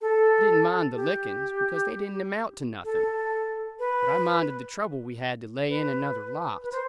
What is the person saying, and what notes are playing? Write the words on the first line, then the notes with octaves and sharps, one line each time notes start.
I didn't mind the lickings, because they didn't amount to nothing; but I minded the trouble we had to lay in another lot.
A4
G4
A4
B4
B4
B4
C5